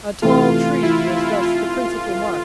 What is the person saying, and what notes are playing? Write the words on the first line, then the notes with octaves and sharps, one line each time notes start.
A tall tree was thus the principal mark.
C3 E3 A3 F4
E4
F4